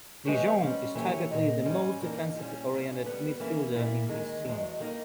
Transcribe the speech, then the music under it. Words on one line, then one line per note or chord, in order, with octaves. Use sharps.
De Jong is typically the most defensively oriented midfielder in his team.
E3 G#3 B3 G4 C#5
G#2 G3 C#4
E3 A#3 E4 G4 C#5
A#2 A#3 D#4
G#2 G3 C#4
G2 E3 A#3 D#4
A#2 G3 C#4
C#3 G3 C#4
G3 B3 G4 B4
E3 A#3 C#4 E4
A#2 A#3 E4
D#2 D#3 G#3
E2 B2 G#3
D#3 A#3 D#4